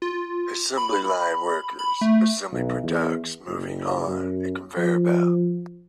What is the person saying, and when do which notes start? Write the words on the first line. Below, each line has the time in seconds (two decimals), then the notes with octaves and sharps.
Assembly line workers assemble products moving on a conveyor belt.
0.02 F4
0.77 B5
1.79 B5
2.01 A3
2.52 B1
2.83 E2
3.48 F#1
4.07 F#2
4.77 F3